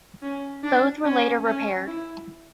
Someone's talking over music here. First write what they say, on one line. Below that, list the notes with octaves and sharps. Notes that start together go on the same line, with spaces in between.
Both were later repaired.
C#4
D4
C#4
C#4
E4